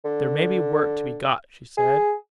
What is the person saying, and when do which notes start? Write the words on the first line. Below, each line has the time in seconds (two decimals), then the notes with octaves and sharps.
'There may be work to be got,' she said.
0.05 D3
1.77 G#4